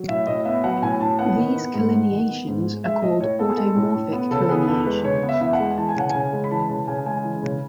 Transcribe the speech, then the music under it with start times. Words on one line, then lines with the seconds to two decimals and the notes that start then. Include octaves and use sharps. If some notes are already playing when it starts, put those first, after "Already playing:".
These collineations are called automorphic collineations.
Already playing: F#3
0.08 A2 E5
0.27 A2 D#5
0.45 B3 E5
0.64 F#3 F#5
0.82 A2 G#5
1.00 A2 A5
1.19 B3 F#5
1.37 D#3
1.56 B3
1.74 G#2
1.92 G#3
2.11 D#3
2.29 B3
2.47 G#2
2.66 G#3
2.84 G#3 E5
3.02 A2 D#5
3.21 A2 C#5
3.39 B3 A4
3.49 G#4
3.57 G#3 A4
3.75 A2
3.94 A2
4.13 B3
4.31 C#3 A4
4.41 A4
4.49 B3 G#4
4.68 E2 A4
4.86 G#3 B4
5.04 C#3 C#5
5.23 B3
5.29 E5
5.41 E2 E5
5.53 F#5
5.60 G#3
5.78 E3 A5
5.89 G#5
5.96 C#3 F#5
6.10 C#3 G#5
6.33 G#3
6.44 B5
6.51 E3 A5
6.69 C#3 A5
6.88 C#3 G#5
7.06 G#3 G#5
7.24 E3
7.43 C#3